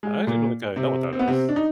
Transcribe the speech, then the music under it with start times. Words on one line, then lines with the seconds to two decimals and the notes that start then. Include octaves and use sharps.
I actually don't think I know what that is.
0.03 G#3
0.27 A#2 A#3
0.76 C3 C4
1.13 C4
1.19 B3
1.27 C3 C4
1.49 D4
1.56 D#4